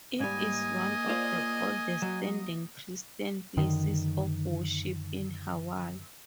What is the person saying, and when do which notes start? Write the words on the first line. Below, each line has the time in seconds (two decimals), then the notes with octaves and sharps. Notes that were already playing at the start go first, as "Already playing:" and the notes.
It is one of the oldest standing Christian places of worship in Hawaii.
0.20 G#2 G3 A#3 D#5 G#5
1.09 F4 C5 D5
2.02 F#3
3.57 F#2 D3 D#3